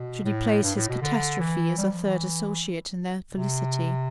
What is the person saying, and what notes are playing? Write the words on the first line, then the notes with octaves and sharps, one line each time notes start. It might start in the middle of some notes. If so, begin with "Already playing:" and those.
Should he place his catastrophe as a third associate in their felicity?
Already playing: B2
A2
G2
A2
B2
D3
E3
G3
F3
E3
C3